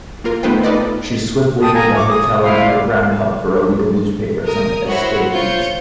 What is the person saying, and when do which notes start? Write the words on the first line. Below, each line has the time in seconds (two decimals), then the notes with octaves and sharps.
She swiftly made the hotel an underground hub for illegal newspapers and escapees.
0.24 A#3 F4 A#4
0.43 A3 B3 D#4 B4 C5 G5
0.64 D#4 F4 A4 B4 D5 D#5
1.62 G5 A5 D#6
1.74 F4 G#5 A#5
1.95 C#6 D6
2.09 D#6
2.43 E4 F4 C5 F5
2.63 D5
4.45 A#4 D#6
4.87 E4 F#4 C5 C#5 F#5
5.32 F4 C5 C#5 G6 C#7